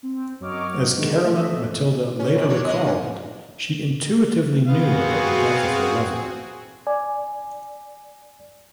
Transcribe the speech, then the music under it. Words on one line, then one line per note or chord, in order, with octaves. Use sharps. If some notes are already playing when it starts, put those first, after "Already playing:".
As Caroline Matilda later recalled, she intuitively knew about the death of her lover.
C4
F#2 F#3 C#5 D#5 D6 F6
D3 D#3 F#3 G#3
A3 D#5 E5
C#4
E2 D#3
E2 D4 C#5
G#3 D#5
G2 A#2 C#4
B3 C4 F#4 G#4 F5
D5 G#5